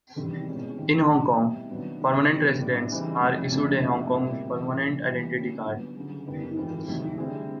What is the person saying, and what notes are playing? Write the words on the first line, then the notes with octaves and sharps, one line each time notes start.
In Hong Kong, permanent residents are issued a Hong Kong Permanent Identity Card.
E2 C3 D#3 G3
C2 B2 G#3 C#4 F4
D#2 D#3 G3 C4
A2 E3 A3
B2 G3 C4 E4
D#3 F#3 B3 D4
D#3 G3 B3
C3 E3 G3 B3
A2 F#3 A3 D4
C#3 E3 G3 C4 D#4
F2 C3 F3 A3 C#4
F2 C#3 F3 A3 D4
F2 C3 F3 A3 D4
A#2 G3 C4 E4
C#2 C#3 E3
C2 A#2 F3
C3 E3 G3
D3 G3 A#3 C#4 F4
D3 F#3 B3
D2 C#3 F#3
F#2 D3 G3 B3 D#4
G#2 E3 G3 C4 F4
F2 C3 D#3 F#3 A3
D3 G3 C4 E4 G#4